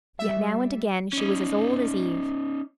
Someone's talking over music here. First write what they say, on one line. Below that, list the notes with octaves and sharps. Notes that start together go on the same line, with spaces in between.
Yet now and again she was as old as Eve.
G3 E5
C#4 D#4